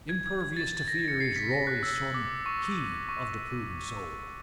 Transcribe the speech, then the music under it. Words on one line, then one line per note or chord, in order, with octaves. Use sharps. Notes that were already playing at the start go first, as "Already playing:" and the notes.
Impervious to fear is Rory's son: he of the prudent soul.
G#6
G#6
G#6
A6
A6
A#6
C#7
C7
B6
A#6
F#6
E6
D6
C#6
C#6